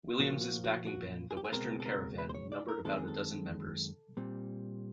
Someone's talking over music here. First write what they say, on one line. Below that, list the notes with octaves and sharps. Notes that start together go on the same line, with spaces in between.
Williams' backing band The Western Caravan numbered about a dozen members.
A#2 F3 A#3 F#4
F#4
F#4
F#4
G#4
G4
G#4
C#2 B2 G#3 C4 A#4
A4
A#4
B4
C5
C#5
D5
A#4
F#2 D#3 G#3 C4 A4
G#4
A4
A#2 G3 C4